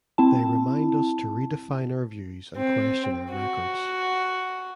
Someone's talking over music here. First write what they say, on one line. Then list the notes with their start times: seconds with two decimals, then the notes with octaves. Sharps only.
They remind us to redefine our views and question our records.
0.18 C4 E4 A5
2.57 C4
3.32 F#4